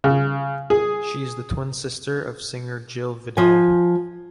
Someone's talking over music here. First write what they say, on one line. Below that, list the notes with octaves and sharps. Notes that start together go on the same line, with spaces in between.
She is the twin sister of singer Jill Vidal.
C#3
G#4
F3 G#5